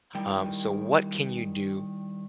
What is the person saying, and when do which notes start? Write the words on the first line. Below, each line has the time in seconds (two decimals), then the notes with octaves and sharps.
um, so what can you do
0.15 D#3 G3 E4 G5